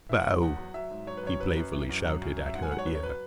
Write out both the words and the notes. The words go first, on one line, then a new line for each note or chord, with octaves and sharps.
"Boh!" he playfully shouted at her ear.
E3 E5
F#5
G#2
E2 F#5
F#3
F#3 E5
G#2
F#3 C#5
B4
F#2 C#5
F#3 B4
F#2 B4
E3
F#2
F#3
F#2
F#3
E5
G#2 F#5
G#5
F#3 F#5
C#5
F#2 B4
C#5
F#3 B4